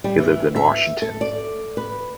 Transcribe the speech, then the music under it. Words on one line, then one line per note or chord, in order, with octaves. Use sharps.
He lived in Washington.
G3
E3
E5
A4
D5
B4